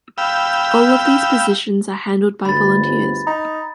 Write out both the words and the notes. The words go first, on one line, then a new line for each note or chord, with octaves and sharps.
All of these positions are handled by volunteers.
F5 G5 B5 E6
G1 D2 B5 A6
D#4